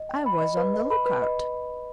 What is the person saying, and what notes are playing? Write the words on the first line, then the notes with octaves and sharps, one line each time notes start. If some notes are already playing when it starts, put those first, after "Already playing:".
I was on the look-out.
Already playing: D#5
G5
B5
D#5
B4
D#5
B5
B4
D#5